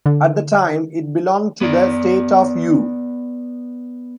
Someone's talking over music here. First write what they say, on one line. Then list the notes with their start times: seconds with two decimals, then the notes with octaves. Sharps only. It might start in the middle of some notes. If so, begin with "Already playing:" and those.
At the time, it belonged to the state of Yue.
0.06 D3
1.61 B3 D5